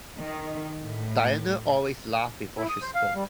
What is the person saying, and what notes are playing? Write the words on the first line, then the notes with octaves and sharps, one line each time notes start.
Diana always laughed before she spoke.
D#3
A2
E4
D#6
C5
F5
G3